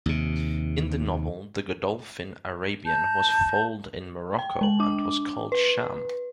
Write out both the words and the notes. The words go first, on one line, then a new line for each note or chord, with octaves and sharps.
In the novel, the Godolphin Arabian was foaled in Morocco and was called Sham.
D#2 C3
A5 A#5 G6
G5
G#3 F#7
D4 D6
B4